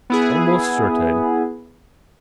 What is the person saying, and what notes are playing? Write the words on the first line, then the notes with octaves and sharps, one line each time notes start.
Almost certain.
B3 E4 G#4